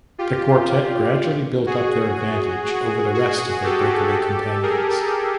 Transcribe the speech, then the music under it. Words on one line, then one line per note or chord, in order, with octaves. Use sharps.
The quartet gradually built up their advantage over the rest of their breakaway companions.
F4 G4
F#4 G#4
F#4 G#4
F#4 G#4
G4 A4
G#4 A#4